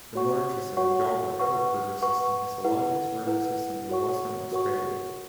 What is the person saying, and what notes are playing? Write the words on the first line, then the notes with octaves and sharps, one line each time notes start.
The Murchison-Yalgar-Hope river system is the longest river system in Western Australia.
F#4 C#5 F#5 C#6
F#4 C#5 F#5 C#6
B4 F#5 C#6
B4 F#5 C#6
E4 B4 F#5
E4 B4 F#5
F#4 A#4 C#5 F#5 C#6
F#4 A#4 C#5 F#5 C#6